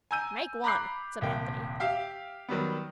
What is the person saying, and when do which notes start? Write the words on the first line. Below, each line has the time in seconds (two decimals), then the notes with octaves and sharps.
"Make one," said Anthony.
0.11 G#5 A#5 E6 G6 D#7
0.64 A#5 B5 D6 F#6 G6 C7
1.21 D#1 C2 A#3 G5
1.80 G4 E5 F5 G5
2.49 D#3 F#3 G3 B3